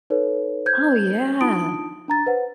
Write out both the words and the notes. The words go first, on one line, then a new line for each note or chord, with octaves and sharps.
Oh, yeah.
D#4 A4 B4 C#5
C5 G6 G#6
D4 D#4 F4 A5 D#6 D7
D4 A#5 A6
B4 C5 F#5